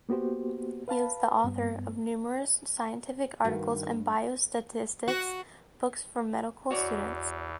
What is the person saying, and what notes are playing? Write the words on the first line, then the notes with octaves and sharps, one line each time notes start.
He is the author of numerous scientific articles and biostatistics books for medical students.
A#3 B3 F#4 G4 C5
B4 F5 A5 B5
G2 B3
G2 D#3 F#4
F#4
E2 F#4 C#5 D5